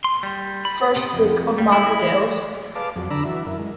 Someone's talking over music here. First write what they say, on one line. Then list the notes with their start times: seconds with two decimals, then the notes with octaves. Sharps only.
First Book of Madrigals.
0.04 C6
0.23 G3
0.65 B5
0.96 C3
1.13 F2
1.58 G3
1.72 E4
2.75 G#4 B4 D5 F5 A5 D6
2.96 F2 F#3
3.10 D3 D4 D5 A#5 B5 E6
3.25 E3 F#4 E5
3.46 F#2 E4 A#4
3.59 G#3